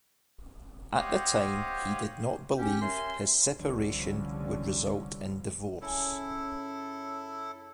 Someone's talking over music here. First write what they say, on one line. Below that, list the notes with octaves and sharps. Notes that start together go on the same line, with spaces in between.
At the time, he did not believe his separation would result in divorce.
G4 C5 C#5 D#5 F5 F#5
C#4 G4
A#4 C#5 E5 G#5 C6
C2 D3 F3 G3 C#4
F#2 C#3 C#4 E4 A4